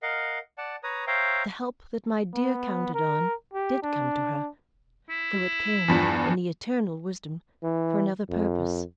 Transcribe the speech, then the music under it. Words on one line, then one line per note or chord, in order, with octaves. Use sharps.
The help that my dear counted on did come to her, though it came, in the eternal wisdom, for another purpose.
A#4 D#5 F5 F#5
D5 F#5 A5
B4 C#5 A#5 D#6
C5 C#5 E5 F5 G5 A#5
B3
A#4
G4
D4
E4
E2 G2 F3
E3
F2